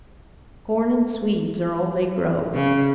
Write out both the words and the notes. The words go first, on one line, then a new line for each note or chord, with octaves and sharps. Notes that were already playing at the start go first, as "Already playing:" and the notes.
Corn and swedes are all they grow.
C#3